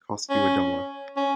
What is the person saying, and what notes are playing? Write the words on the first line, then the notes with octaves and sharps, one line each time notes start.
Cost you a dollar.
C#4
C#4